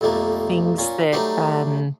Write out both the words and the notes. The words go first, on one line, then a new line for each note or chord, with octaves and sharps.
things that, um
B1 F2 G3 A3 A#3
A#2 C#4
F#3 G3 A3 D4 D#4